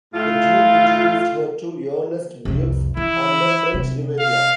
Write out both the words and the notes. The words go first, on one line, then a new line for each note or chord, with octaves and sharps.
The duke introduced her to Ernest Beaux on the French Riviera.
A2 A3 F4
C2 F2
E3 E4
C3
F5